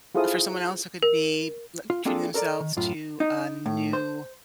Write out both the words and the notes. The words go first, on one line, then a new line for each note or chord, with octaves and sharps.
For someone else, it could be li treating themselves to a new
E4 F4 G#4 A4 C5 D#6
A#4
F4
A#3 C4 D4 F4 G#4 A4
A4 A#4 C5 D5 A#5
D#3
F#2 A2 F4
D#4
A2
C5